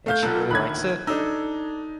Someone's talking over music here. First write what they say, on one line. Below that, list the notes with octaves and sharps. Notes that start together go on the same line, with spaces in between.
And she really likes it?
A3 F5 G6
B1 A#2 A4 F#6
D2 D#3 B5 F#6 G#6
D4 D#4 A4 E6